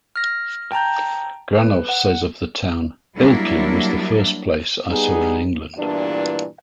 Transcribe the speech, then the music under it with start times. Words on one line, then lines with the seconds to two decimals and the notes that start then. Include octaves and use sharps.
Granov says of the town, Ilkley was the first place I saw in England.
0.16 F6 A#6
0.72 G5 A5 A#5 G6
1.57 B4
1.89 F#5
3.18 F#3 G3 A#3 D4 E4
4.89 G3 B3 D#4 G#4
5.77 E2 G2 A#2 E3 D4